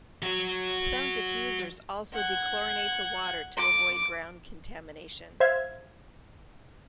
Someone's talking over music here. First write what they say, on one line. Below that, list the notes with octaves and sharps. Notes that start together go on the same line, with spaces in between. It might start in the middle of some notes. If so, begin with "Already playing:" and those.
Some diffusers also dechlorinate the water to avoid ground contamination.
F#3 F#4
F#5 G#6
D6
C5 E5 F5 G#6